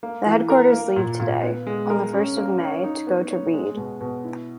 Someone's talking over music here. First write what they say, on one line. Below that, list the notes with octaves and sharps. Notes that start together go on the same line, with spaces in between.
The headquarters leave today, on the first of May to go to Ried.
A#3
E3
A#4
A#3
A#2
A#2
B3
G#3
A#4
C#4
A#3
C#5
D#4
B3
C#5
G#3
B2
B2
E4